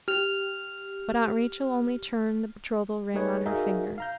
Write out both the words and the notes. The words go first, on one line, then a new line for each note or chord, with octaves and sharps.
But Aunt Rachel only turned the betrothal ring on her finger.
G4 F6 F7
G#3 A3 D#4 G#4 B4 C#5
D#4 F#4 G#4 A#4 E5 F5
F5 A#5 G6